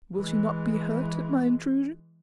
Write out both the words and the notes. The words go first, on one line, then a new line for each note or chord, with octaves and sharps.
"Will she not be hurt at my intrusion?"
E3 G#3